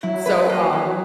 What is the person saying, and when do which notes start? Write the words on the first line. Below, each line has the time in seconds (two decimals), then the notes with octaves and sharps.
So, um
0.03 F#3 E4
0.26 B4
0.49 A#3
0.73 E3